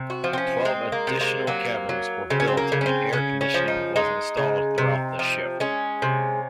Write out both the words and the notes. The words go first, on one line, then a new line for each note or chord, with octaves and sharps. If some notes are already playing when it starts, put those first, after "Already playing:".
Twelve additional cabins were built, and air conditioning was installed throughout the ship.
Already playing: C3
F#4
F3
C4
C#4
G#3 C4
A#3
C3
A#3
F#3 A#3
F#3
C#3 C4
C#4
C4
A#3
C#3
C#4
C4
C#3 C#4
C#4
F3
D#4
G#3 D#4
C#3
C3
F3
G#3 C#4
C3